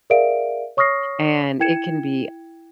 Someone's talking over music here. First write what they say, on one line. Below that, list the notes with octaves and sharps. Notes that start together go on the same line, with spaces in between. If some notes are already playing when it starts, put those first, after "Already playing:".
and it can be
G#4 A#4 D5 E5 F5 D7
C#5 C#6 D#6 F6 A#6 C7
E4 G5 G#6 C#7 E7